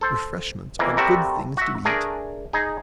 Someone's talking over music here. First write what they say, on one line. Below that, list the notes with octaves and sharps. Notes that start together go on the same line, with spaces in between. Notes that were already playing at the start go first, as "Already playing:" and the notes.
"Refreshments are good things to eat!"
A4 C5
F2 E3 A#3
C3 G3 A3 F#4 A#4 E5
F#4 E5
A3 D4 G#4 A#4
D#4 G#4